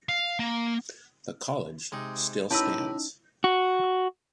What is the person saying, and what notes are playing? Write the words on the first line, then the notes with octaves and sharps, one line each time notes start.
The College still stands.
F5
A#3
C3 G#3 D#4
A2 C#4 D#4 G4 A#4 B4 A5 E6
F#4